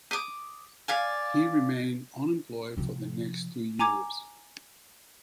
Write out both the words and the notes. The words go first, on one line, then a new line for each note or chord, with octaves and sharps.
He remained unemployed for the next two years.
D6 D#6
D5 F5 G#5
C3 F3
G#5 A#5 D6 G#6